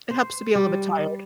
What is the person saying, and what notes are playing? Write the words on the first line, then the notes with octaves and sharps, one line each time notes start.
It helps to be a little bit tired.
C5
G3